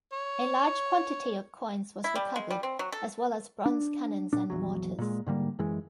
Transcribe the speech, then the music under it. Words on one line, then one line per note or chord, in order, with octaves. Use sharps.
A large quantity of coins was recovered, as well as bronze cannons and mortars.
C#5
E4
G3
G#3
G3
C4
F#3
A4
D4
A#2 D4
A#1 E2 F#3
A#2 G#3
G#2 D3 G3 A#3
F#2 E3 G#3